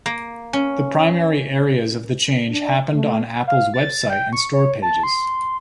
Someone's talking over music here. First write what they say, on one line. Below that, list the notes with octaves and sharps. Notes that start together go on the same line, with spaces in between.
The primary areas of the change happened on Apple's website and store pages.
A#3
C#4
D4
A3
F5
A6
G5
C#6
C#5
A5
C6